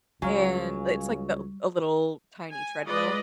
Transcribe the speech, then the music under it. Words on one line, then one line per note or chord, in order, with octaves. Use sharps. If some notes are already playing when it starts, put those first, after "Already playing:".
and it's like the a little, tiny treadmill.
C#2 F#3 G3 C#5 F5 G#5
G#5
G#3 F4 B4 D5 D#5